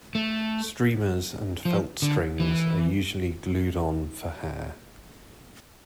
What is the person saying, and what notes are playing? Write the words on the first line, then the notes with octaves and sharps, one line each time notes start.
Streamers and felt strings are usually glued on for hair.
A3
F3
D3
E3